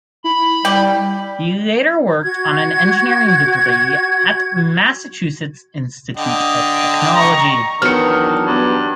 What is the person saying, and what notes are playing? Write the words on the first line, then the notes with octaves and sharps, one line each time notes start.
He later worked on an engineering degree at Massachusetts Institute of Technology.
E4 B5
G3 G4
F#4 G#6
D3 D#5 G5
A#5 C#6
E2 D#3 F#3 D4 B4 F6 C#7
G2 B3